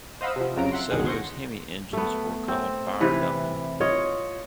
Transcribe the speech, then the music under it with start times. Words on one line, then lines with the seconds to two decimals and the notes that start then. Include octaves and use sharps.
DeSoto's Hemi engines were called Fire Dome.
0.21 C5 D#5 F5 F#5 B5 E6
0.36 C3 F3
0.56 F2 C#3 F3 F#3 A#5 D7
0.72 E5 F#5 C6
0.90 G1 C#2 B2 D#3 G#4 F#5
1.07 C6 C#6 G6 A#6 C#7
1.93 A3 B3
2.48 C4
3.01 C3 E3 B4
3.80 F4 C#5 D#5